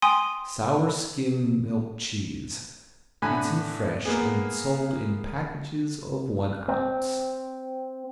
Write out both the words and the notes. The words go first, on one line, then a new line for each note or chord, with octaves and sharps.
Sour skim milk cheese, eaten fresh and sold in packages of one ounce.
G5 G#5 C6 D#6
A2 D3 G#5 B5 F#6
A#3 B3 G#4
C4